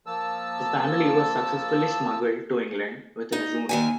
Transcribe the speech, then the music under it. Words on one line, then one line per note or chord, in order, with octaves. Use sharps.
The family was successfully smuggled to England with Rezun.
F3 A#3 A5 E6
D#4
D#2 D#3 G#5